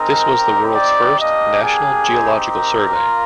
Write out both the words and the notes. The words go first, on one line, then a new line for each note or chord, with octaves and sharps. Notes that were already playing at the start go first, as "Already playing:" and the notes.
This was the world's first national geological survey.
Already playing: G#3 C4 D#4 A#4
C4 D#4 G4
D5
G3 A#3 D4 D#5
G#4
C4 D#4 G4
A#4
A#3 F4